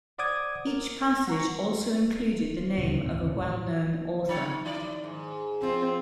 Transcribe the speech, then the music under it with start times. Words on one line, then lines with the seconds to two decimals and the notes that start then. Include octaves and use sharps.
Each passage also included the name of a well-known author.
0.18 C5 D5 F#5 D6 D#6 G#6
0.67 A#4
1.27 F#5 A#5 C#6
2.77 D2 A#2 C#3 C#4
2.91 D2 C3
3.03 G1 D2 A2 C4
3.23 D#1 A2 D3 C#4
3.39 E1 A2 E3
4.29 D#3 F#3 C#5
4.65 F3 E4 D5
5.04 G#2
5.62 F3 C4 F4